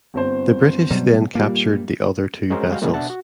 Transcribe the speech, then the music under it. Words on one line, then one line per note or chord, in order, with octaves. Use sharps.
The British then captured the other two vessels.
G1 C4 C5
B2 F#3 G3
A#2 G3 A#3
G#3 C#4 F#4 G#4 A#4 C5
G3 G#3 F#4 F5 G5
A#2 C#3 E3 G3 G#3 A#3
B2 D4 E5 F#5 A5
F#4